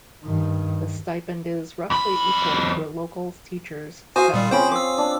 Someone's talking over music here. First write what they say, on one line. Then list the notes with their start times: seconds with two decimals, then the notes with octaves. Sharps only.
The stipend is roughly equal to a local teacher's salary.
0.24 G2 D#3
1.90 F2 B5
4.16 F#4 C5 F5 G#5 C6 D#6
4.34 A#2 G3
4.51 C4 C#4 F4 C5 G5 B5
4.72 C5 D6 E6
4.98 D4